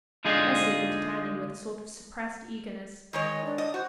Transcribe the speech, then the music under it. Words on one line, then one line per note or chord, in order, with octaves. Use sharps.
Leslie looked at Annie with a sort of suppressed eagerness.
D3 G#3 D#4 F4 G#4
D#3 G#3 C#5 D#5
D4
D#5
F#4 C5